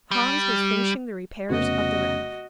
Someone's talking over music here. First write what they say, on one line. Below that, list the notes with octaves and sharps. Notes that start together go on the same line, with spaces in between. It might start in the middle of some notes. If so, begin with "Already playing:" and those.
Hans was finishing the repairs of the raft.
G3
F1 C#3 B3 F#4 D#5